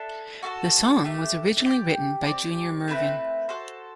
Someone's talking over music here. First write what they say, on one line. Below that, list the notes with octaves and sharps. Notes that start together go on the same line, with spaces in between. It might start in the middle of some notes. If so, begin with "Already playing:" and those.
The song was originally written by Junior Murvin.
Already playing: D4 A4 E5 A5
F#4 A4 E5 A5
A3 D4 G4
G4 D5 G5
C4 G4 D5
A3 C4 E4 B4
F#4 A4 C5